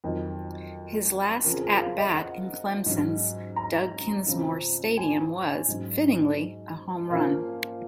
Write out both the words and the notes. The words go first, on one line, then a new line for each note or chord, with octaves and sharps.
His last at-bat in Clemson's Doug Kingsmore Stadium was, fittingly, a home run.
F2 D#3 F#3
C#3 F3 C4 A#4
G#4
A#4
F4
D#5
F#5
G#2 F#3 C#4
A#5
C#3 F3 C4
G#5
G#2 F#3 C#4
A#2 F3 A#3 C#4 F5